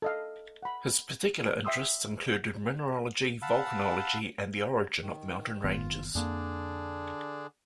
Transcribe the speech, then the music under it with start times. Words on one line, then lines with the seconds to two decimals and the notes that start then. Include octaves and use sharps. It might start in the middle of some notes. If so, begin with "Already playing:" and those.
His particular interests included mineralogy, volcanology, and the origin of mountain ranges.
0.02 A4 D#5 F5
0.63 F#5 B5
1.65 E5 G5 C6 D#6 E6
3.42 F5 F#5 A5 B5 E6
5.02 D#3
5.64 F#1 D#3 B3 F4
6.15 F2 D3 A#3 D4 G#4